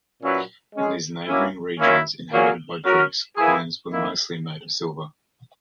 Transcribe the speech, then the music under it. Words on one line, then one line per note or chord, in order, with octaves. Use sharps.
In these neighbouring regions, inhabited by Greeks, coins were mostly made of silver.
A#2 F#3 C#4 E4 B4
G#3 C#4 G#4
F#3 A#3 C#4 E4
F#2 D#3 A#3 C#4 E4
A#2 F#3 A#3 C#4 G#4
F#3 C#4 F#4 A#4
E3 A#3 E4 G#4
D#3 A#3 E4